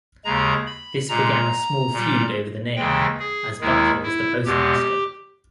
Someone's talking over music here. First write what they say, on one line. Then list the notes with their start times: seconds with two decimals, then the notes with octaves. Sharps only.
This began a small feud over the name, as Butler was the postmaster.
0.24 D#2 C#3 G#3 A#5
0.67 B5
1.09 A#2 G#3 A#5
1.93 A#2 G3
2.76 D#2 C#3 E3 G#3 G5
3.19 G#4
3.61 D#2 D#3 G#3 E4
4.03 E4
4.45 E2 B2 G#3 G4